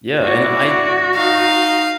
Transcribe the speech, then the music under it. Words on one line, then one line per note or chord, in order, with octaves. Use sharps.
Yeah, and I
E4 F#4 D5
D#4 F5